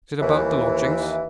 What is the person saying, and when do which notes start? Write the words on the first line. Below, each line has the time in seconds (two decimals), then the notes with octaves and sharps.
"Is it about the lodgings?"
0.22 D#2 E3